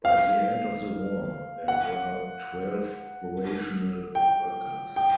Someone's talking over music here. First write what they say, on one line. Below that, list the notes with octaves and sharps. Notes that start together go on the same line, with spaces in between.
By the end of the war there were twelve operational workers.
F5
F#5
G5
G5